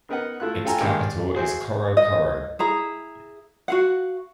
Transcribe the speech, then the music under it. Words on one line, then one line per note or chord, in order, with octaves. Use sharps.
Its capital is Coro Coro.
B3 D#4 A#4 B4 D#5 F#5
A3 E4 F4 F#6
F4 A4 G5 G#5 A#5
G2 D#3 G#3 A#3 G4
D5
F#4 G#4 C5 E5 G#5
D#5
E4 G#4 A#5
F#4 F5 F#5